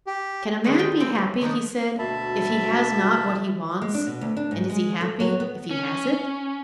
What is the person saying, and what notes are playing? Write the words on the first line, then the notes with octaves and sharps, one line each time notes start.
"Can a man be happy," he said, "if he has not what he wants, and is he happy if he has it?"
G4
D3 D#3 G#3 D4 F#4 B4
F4 G#4 F5 G5
D3 E3 G3 C4
C4 C#4
D#3 F3 A#3 B3 D4 D#4
D2 B2 E5 A5 B5
G#3
D4
B2
D2
D4
G#2
G#3
A4
F#3
B3
C#4